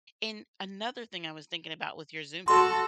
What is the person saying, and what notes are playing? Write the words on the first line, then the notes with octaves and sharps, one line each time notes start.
and another thing I was thinking about with your Zumba:
F#4 A4 C6